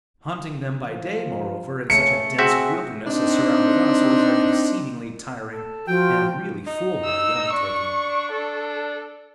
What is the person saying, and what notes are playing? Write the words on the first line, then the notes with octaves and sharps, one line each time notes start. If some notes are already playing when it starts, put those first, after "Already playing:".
Hunting them by day, moreover, in such a dense wilderness as surrounded us, was an exceedingly tiring and really foolhardy undertaking.
F3
C#3 A3 C#7
C4 F#4 G#4 E5
C4 D4 D#4
A4
F3 F#4 G5
D#4
E6
D4 C#6
D4 A4